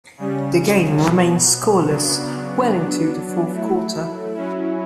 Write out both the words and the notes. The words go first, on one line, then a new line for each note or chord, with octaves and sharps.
The game remained scoreless well into the fourth quarter.
C#3 G3 C#4
B2 F#3 B3
C#3 F#3 B3 D4
F#3 B3 D4
F#3 A3 E4
F#3 C#4 E4